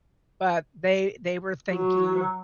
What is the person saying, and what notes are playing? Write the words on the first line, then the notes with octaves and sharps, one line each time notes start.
But they they were thinking
F#3